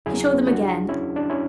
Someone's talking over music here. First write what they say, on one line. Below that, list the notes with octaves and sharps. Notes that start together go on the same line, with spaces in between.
He showed them again.
E2 C#3 F#3 E4 G#4
D4 F#4
C#4 E4
D4
C#4 E4